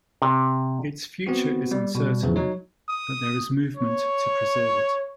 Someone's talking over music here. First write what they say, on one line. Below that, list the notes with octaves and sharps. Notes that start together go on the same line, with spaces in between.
Its future is uncertain, but there is movement to preserve it.
C3
B3 C4 F#4
G3
B2 G3
E2 C#3 E3 F3
F#3 D#4 C#5
D#6
C#5